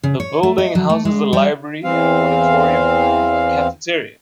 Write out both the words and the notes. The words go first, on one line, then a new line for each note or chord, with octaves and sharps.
The building houses a library, an auditorium and a cafeteria.
C#3
C#5
A3
D#5
F#3
A3
G#3
G3
E2 E3 C4 F5